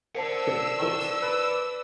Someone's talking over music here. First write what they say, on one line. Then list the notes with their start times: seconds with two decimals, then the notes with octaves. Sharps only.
Yeah, boats
0.15 A#4 C5 D5 F#5 A5 E6
1.22 B4